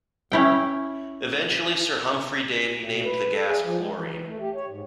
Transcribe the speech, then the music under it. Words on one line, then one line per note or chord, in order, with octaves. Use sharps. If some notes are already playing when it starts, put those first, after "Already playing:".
Eventually, Sir Humphry Davy named the gas chlorine.
C#4 E4 G5
B2
B4
A4
G#4
F3
G#3
E3
E3
A3
G4
C#5
G#2